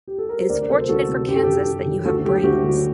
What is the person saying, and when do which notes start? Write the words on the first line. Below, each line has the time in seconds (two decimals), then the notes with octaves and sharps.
It is fortunate for Kansas that you have brains.
0.07 G4
0.19 A4
0.29 A#4
0.39 C5
0.49 D2 A#4 D5
0.62 A#4
0.69 C3 A4 C5
0.73 F#3
0.89 D2 F#4 A4
1.08 C3 F#3
1.28 F#2 G4
1.36 A4
1.43 D#3 F#3 G4
1.66 F#2
1.86 D#3 F#3
2.05 D2 F#4 A4
2.24 D3 G4
2.28 F#3
2.36 G4
2.43 D2 F#4
2.63 D3 F#3